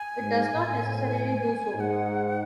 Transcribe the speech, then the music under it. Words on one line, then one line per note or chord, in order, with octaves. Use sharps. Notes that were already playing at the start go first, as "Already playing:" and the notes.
It does not necessarily do so.
Already playing: G#5
G#2
A2
G#2 F#5 G#5